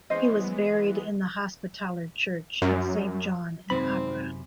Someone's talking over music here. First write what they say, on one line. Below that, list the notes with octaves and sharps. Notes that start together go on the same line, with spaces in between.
He was buried in the Hospitaller church of Saint John in Acre.
E3 G#3 B3 C#4 C5 D#5
F#2
G#1 F#2 C3 C4 B5